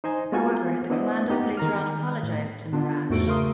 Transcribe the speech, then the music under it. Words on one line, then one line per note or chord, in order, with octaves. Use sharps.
However, the commandos later on apologized to Meeraj.
D#4 C5 D#5 G#5
G#3 B3 F4 F#4 A4 G#5
B3 D4 E4 C5 D#5 F#5
B3 D#4 G4 D#5 F#5
D#3 A#5 F6
A2
D3 B3 D4 F4
E2 G#2 A3 F#4 A4 D7
C#3 A3 A#4 C6 D#6